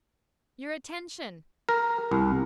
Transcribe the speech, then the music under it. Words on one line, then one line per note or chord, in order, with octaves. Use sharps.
Your attention!
A#4
C2